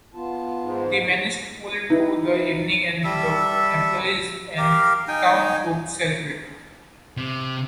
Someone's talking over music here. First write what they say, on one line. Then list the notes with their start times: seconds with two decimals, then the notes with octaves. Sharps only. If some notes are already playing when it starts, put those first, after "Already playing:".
They manage to pull through the evening and the employees and town folks celebrate.
0.14 B3 F4 A5
0.63 G#2
1.90 D#4 E4 B4
3.04 G3 A4 E5
4.58 G4 A#4 F5
5.08 D#4 G5 G#5
7.17 C3